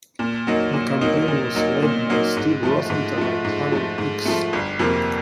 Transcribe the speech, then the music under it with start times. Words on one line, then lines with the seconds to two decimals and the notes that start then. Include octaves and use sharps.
The campaign was led by Steve Rosenthal and Harold Ickes.
0.19 A#2
0.47 F#3 A#3 D#4
0.73 A#2
1.01 F#3 A#3 D#4
1.28 A#2
1.55 F#3 A#3 D#4
1.82 A#2
2.10 F#3 A#3 D#4
2.37 G#2
2.63 F3 A3
2.90 G#2
3.18 F3 A3
3.45 G#2
3.72 F3 A3
3.98 G#2
4.25 F3 A3
4.53 G1
4.79 F2 C3 F3 A#3